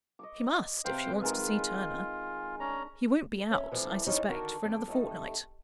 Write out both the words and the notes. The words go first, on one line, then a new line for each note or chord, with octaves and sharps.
She must, if she wants to see Turner; he won't be out, I suspect, for another fortnight.
D#5 C#6 D6
C3 B4 C5 F5 G5
D#3 G#3 F4 B4
C#4 D4 A#5
C#4 E5
E3 F3 G3 A3 C4 D4
E3 F3 G3 G#3 C#4 D#4
D3 D#3 D4 F#4 A4 A#4
F2 D3
F2 G3 A3 D#4